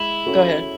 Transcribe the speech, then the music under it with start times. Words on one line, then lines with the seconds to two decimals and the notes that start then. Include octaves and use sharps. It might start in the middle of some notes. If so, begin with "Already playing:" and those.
go ahead.
Already playing: G#3 E4
0.26 C#4 F#4 A4